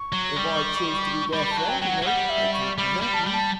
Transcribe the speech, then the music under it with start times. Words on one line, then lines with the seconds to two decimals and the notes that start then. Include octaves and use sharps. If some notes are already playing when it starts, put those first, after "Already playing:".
If I choose to be their friend, you know, they can't prevent me.
Already playing: C#6
0.13 F#3
0.36 G3
1.33 G3 B5
1.46 B5
1.51 A5
1.57 F#3
1.69 G5
1.81 F#3 G5
1.87 F#5
2.02 F#3
2.05 G3 F#5
2.30 E5
2.54 C#6
2.78 G3 B5
3.02 G3
3.14 A5
3.24 G3 B5
3.33 A5